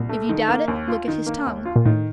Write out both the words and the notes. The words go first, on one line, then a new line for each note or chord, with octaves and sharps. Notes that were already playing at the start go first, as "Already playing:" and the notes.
If you doubt it, look at his tongue.
Already playing: C2 A#2
A3
D#3
A#3
D#2
F4
D#3
A#3
D#2
F4
A#2
A2 D#3